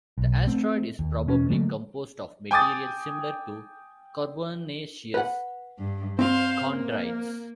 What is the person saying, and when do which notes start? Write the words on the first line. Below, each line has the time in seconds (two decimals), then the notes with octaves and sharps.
The asteroid is probably composed of material similar to carbonaceous chondrites.
0.18 B1
0.47 A3 C4
0.99 D#2
1.27 E1 C#4
1.50 D3 F#3 A3 A#3
2.51 G5 G#5 D6 D#6 A6
5.14 B4 F#5
5.79 G2
6.19 C4 C5 F5 C6
6.68 A#3